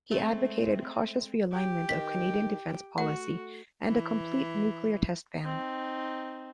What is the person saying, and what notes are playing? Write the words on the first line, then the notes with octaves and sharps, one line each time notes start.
He advocated cautious realignment of Canadian defence policy, and a complete nuclear test ban.
G#3 A3 C4
G4 G5
D#3 B6
A3 F#4 F#5
E3
C4 D#4